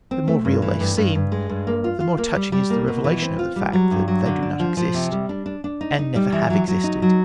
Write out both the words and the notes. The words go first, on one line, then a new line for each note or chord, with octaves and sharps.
The more real they seem, the more touching is the revelation of the fact that they do not exist, and never have existed.
C4
A3
G2
E3
G2
G2
G2
G#3
G2
A#3
F4
F4
A#3
G3
G3
A#3
B2
E3
C4
F4
G3
F#3
G2
F#3
D3
D4
F3
F3
C3
G3
D4
D4
D4
D#4
D#4
G3
E3
F#3
F#3
D#4
F#3